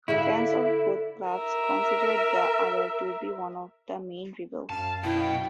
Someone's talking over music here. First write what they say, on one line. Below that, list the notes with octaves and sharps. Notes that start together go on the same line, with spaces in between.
Fans of both clubs consider the other to be one of their main rivals.
D3 E4 G#4 F5
A#4 E5
F#2 F5 A5
B2 E4 G5